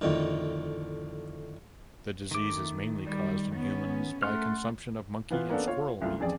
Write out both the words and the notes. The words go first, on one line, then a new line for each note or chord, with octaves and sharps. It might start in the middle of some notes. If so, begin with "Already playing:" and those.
The disease is mainly caused in humans by consumption of monkey and squirrel meat.
F2 A2 D3 D#3
D#3 A3 D6
G3
B3 C#4
A3 F#5 C6 F6
E3 B3 F4 B4
A#3 B3 C#4 D4 A4
F4 C#5 F5
F#1 C2 A3 F4
A1 F2 G#4 D5